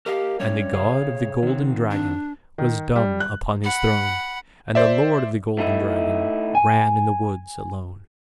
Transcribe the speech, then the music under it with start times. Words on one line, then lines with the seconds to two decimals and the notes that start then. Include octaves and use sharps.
And the God of the Golden Dragon Was dumb upon his throne, And the lord of the Golden Dragon Ran in the woods alone.
0.06 G4 A#4 D#5 F5
0.40 G3 C#4 D4 C#5
0.73 C3 G#4 F5
1.43 D#3 C4
1.91 D4
2.58 D#3
2.96 G3
3.20 F#6
3.63 F#5 B5
4.75 C5 D5 E5
5.58 A3 D#4 E4
6.55 G#5